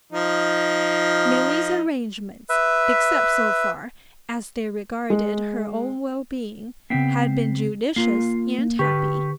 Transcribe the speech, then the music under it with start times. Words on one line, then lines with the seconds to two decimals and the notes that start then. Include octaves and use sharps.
Milly's arrangements, except so far as they regarded her own well-being, had been judicious and happy.
0.12 F3 D#4
2.49 B4 E5
5.10 G#3
6.90 C#3 B3 C4 E5 G5 C7
7.96 A#3 F4 C7
8.59 A#3
8.79 D3 G4 B4 C#6